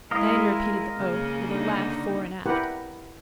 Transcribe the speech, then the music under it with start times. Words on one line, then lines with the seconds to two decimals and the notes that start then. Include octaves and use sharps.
Diana repeated the "oath" with a laugh fore and aft.
0.11 G#3 E4 G#4 A#4 D#5 F5
0.98 C#3 A#3 C#4 G#4
1.48 D3 D#4
2.46 E4 G4 A#4 B4 F#5